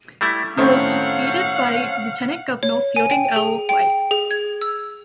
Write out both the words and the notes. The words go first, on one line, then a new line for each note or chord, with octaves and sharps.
He was succeeded by Lieutenant Governor Fielding L. Wright.
G3 A3 E4
A2 D#3 A3 C4 C#4 F5 F#5
C#5
G#5
G5
G#4
G5
G#4
G#6
E6